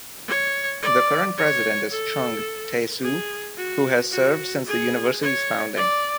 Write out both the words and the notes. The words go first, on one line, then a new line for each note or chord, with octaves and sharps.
The current president is Chung, Tae Soo, who has served since the university's founding.
C#5
D5
C#5
A4
G#4
F#4
F#4
G#4
C#5
D5